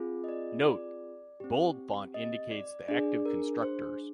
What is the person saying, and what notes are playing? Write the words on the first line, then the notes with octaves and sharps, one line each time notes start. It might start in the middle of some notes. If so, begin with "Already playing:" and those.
"Note:" Bold font indicates the active constructors.
Already playing: C4 F4 G#4
D#5
D5
D5
C4 G4
D#5
D5
D4 G#4 D5
A#4
C5